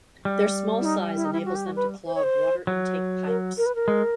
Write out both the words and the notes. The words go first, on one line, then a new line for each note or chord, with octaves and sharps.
Their small size enables them to clog water intake pipes.
G3
E4
D#4
E4
D#4
E4
F#4
G4
F#4
B4
C5
C#5
C5
F#3
A#4
A#4
B4
A#4
G#3